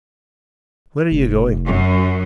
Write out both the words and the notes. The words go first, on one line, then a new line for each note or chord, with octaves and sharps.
"Where are you going?"
F1
F#2